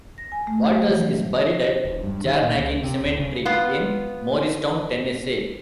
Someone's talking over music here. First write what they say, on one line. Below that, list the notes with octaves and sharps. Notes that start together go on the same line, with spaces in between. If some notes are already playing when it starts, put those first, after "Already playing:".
Walters is buried at Jarrnagin Cemetery in Morristown, Tennessee.
A#6
G#5
A3
F#3
E3
E1
G2
D#3
A#2
C#2
C3
D1
C#3
B3 F4